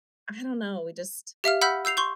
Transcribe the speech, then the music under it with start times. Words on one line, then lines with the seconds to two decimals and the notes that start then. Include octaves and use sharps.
I don't know, we just
1.44 G4 E5 F5 F6
1.61 F#5 B5 E6 F6 G6 B6
1.85 E6 G6 C7 F7
1.97 C6 C#6 G6